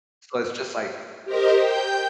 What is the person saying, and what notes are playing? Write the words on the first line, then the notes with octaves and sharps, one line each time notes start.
So, it's just, like
G4 A#4 C5 D#5
G5 G6